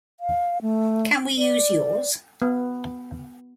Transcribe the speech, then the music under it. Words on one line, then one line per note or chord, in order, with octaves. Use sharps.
Can we use yours?
F5
A3
D5
B3